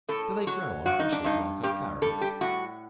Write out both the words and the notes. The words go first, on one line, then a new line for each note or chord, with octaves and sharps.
Do they grow on bushes like our Currants?
A2 A4
F#3 F#4
G2 F#4
D#4
D4
G2 D#4
G2 G4
G3 A4
G4
A2 F#4